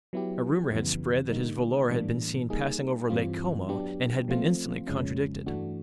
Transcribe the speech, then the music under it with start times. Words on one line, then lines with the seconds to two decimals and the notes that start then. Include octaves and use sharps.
A rumour had spread that his volor had been seen passing over Lake Como, and had been instantly contradicted.
0.13 F#3 B3 E4 G4
0.72 F2 C#3 E3 G3 B3
1.31 D3 G3 A#3 D#4
1.90 A2 E3 G3 A#3 D4
2.50 G3 A#3 D#4 G#4
3.10 G2 E3 G3 C4 F4
3.69 F#3 B3 D4 G4
4.28 F3 A3 C4 F4
4.87 F2 C#3 F3 G#3 C#4
5.46 G2 E3 A3 D4 F#4